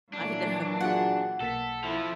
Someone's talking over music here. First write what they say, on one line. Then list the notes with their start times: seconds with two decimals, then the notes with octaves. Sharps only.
I know.
0.13 A#2 E3 F#3 D4
0.81 F4 F#4 G#4 F#5
1.41 B1 A#3 A4 B6
1.83 F3 E4 A4